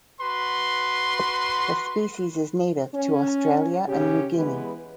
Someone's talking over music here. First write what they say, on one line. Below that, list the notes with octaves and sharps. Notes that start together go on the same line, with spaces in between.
The species is native to Australia and New Guinea.
F#4 B4 C6
C#4
C#3 C#4 G4
E3 G#3 B3 B4